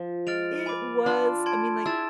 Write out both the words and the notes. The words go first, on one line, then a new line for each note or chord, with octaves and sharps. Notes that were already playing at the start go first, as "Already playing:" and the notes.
I It was. I mean, like,
Already playing: F3
G#3 F6 A6 D7 F7
G#5 B5 D6
D4 F4 A5 C6 F6
A5 C6 G#6 D7
E4 G#4 E6 A6 E7